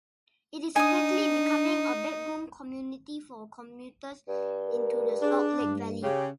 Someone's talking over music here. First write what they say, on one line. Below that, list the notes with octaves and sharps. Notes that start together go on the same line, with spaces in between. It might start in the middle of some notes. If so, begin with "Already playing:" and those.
It is quickly becoming a bedroom community for commuters into the Salt Lake valley.
D4 D#4 G#5 D#6
G2
A#4
D4 G#4
G2
C#3 G4